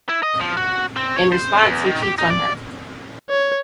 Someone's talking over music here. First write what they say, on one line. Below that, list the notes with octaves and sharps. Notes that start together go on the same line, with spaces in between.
In response, he cheats on her.
E4
D#5
F3
F#4
C4
C#5
C5
E2
D#3
G4
D#4
D5
C#5